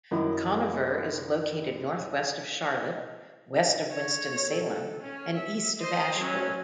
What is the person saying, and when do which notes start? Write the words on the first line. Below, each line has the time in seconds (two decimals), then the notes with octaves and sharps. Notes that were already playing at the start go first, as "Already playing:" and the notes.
Conover is located northwest of Charlotte, west of Winston-Salem, and east of Asheville.
0.11 F#2 D#3 E4
3.93 C#5
4.50 A4
5.00 C#4
5.35 E5
5.79 C5 D#5
6.16 F#3 C#4